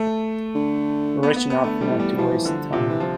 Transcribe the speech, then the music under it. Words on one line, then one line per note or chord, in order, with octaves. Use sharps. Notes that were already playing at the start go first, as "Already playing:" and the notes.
Rich enough not to waste time.
Already playing: A3
D3
B3
B3
B3
D3 A3
D3 G3
E3
G3
E3 F3
D3
C3 F3
E3
F3